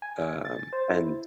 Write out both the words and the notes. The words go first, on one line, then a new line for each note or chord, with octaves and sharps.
Um, and
G#5
A6
C5
E4